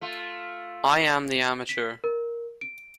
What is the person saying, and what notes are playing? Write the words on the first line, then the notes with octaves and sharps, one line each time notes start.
I am the amateur.
A3 F4
B6
A#4
D7